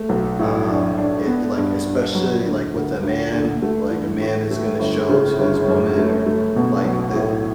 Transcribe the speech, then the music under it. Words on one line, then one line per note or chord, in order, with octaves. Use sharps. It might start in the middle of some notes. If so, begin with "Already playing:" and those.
um, it like, especially, like, with a man, like a man is gonna show to his woman or, like, the
Already playing: A3
B1
A2
D4
D4
B3
G2
G2
F#3
D2
D2
D2
D3
A3
E3
A2
A3
G1
C#3
G1
F#2
A3
A3
B2
B1
A2